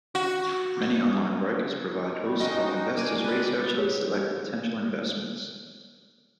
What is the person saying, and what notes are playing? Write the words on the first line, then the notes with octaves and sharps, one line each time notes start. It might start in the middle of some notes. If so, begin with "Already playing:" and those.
Many online brokers provide tools to help investors research and select potential investments.
F#4
G2 G3 A3
C#4 D#4 F#4 D#5 G5
A#3 D4 G#5 D6
E2 G#3 G4 B4 D5
G4 G#4 C#5